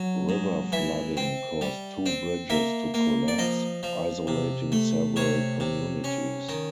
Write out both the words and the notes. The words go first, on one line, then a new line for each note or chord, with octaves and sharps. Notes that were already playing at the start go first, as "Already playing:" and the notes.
River flooding caused two bridges to collapse, isolating several communities.
Already playing: F#3
G#2
E3 E5
C4
G3
C4
A#3 E5
A#3
D5
F3 D#5
F3
C3
A3
C3 C#5
C3
C#4
D#3